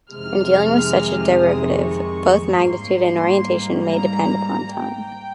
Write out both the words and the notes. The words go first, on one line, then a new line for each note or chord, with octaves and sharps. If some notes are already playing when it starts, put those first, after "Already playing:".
In dealing with such a derivative, both magnitude and orientation may depend upon time.
F2 C3 D#3 G#3 F6
D#6
C#6
G#2 G3 A#3 C6
A#5
A#5
G5